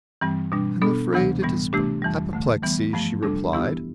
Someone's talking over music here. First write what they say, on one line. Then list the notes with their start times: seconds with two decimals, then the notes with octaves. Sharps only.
"I'm afraid it is apoplexy," she replied.
0.21 G2 E3 G3 C4
0.52 B2 G3 D4
0.82 B2 B3 D4 A4
1.13 D2 C3 E3 B3 D4
1.42 A2 E3 G3 B3
1.73 C3 E3 A3 D4 G4
2.02 F2 E3 G3
2.33 D2 D3 A3
2.63 E3 G3 B3
2.93 G2 F3 A3
3.23 F2 C3 G3 D4 A4
3.53 E3 B3 E4 G4